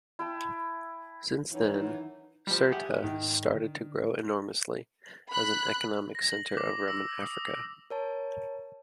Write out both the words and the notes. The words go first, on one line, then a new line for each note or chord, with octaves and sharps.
Since then Cirta started to grow enormously as an economic center of Roman Africa.
E4 G5 A5
F#2 D#3 E3 D#4 C#5 F#5
F3 G3
G4 E5 F#5 G#5 D#6
G#2 D#3
D3
B5 F#6
A#6
F#7
D6
E6
D#6
A#4 C#5 A5